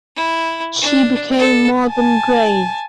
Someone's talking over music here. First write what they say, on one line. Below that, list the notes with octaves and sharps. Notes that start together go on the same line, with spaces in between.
She became more than grave.
E4
D4
A4
G#5 A5